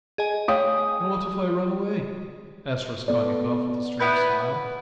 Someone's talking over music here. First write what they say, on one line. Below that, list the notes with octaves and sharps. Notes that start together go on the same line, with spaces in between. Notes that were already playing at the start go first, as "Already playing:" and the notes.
"And what if I run away?" asked Raskolnikov with a strange smile.
G#4 D#5 G#5
A3 C#5 F5 D#6
B3 A4 D5
B3 E4 B4 G6